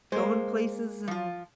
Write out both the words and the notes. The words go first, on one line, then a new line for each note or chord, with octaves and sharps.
going places and,
G#3 A#3 C5
F3 F4